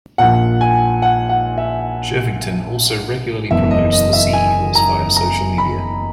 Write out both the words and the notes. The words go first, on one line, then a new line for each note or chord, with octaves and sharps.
Shirvington also regularly promotes the Sea Eagles via social media.
A#1 A#2 F#5
G#5
F#5
F#5
E5
F#1 E2 B2 E5
D#5
D#5
E5
G#5
A#5
A#5
B5